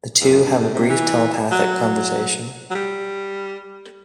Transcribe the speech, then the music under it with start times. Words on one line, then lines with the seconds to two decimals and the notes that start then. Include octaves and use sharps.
The two have a brief telepathic conversation.
0.21 E2
0.28 F#2
0.43 G2
0.59 A2
0.74 C3
0.89 E3
1.52 F#3
2.71 F#3
2.75 G3